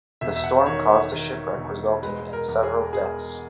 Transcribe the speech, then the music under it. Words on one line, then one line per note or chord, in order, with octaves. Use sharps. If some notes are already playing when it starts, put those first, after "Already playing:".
The storm caused a shipwreck resulting in several deaths.
E1 E5
E5
F#5
D#3 C#5
D#3
E1
G#3 B4
A#4
E2
G#4
G#3 G#4